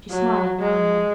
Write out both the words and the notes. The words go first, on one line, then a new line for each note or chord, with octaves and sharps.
She smiled now and then.
F#3
G#3